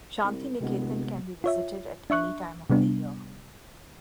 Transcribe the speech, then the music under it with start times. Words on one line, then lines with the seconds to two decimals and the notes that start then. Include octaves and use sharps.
Santiniketan can be visited at any time of the year.
0.24 C2
0.61 D1 C3 G#3 B3
1.44 F4 C#5 E5
2.10 D4 E5 C#6 F#6
2.70 C3 G3 B3 D4